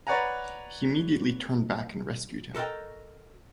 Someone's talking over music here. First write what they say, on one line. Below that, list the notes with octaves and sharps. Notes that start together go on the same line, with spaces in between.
He immediately turned back and rescued him.
B4 C#5 D5 F#5 G#5 A#5
F#4 A4 A#4 D#5 G5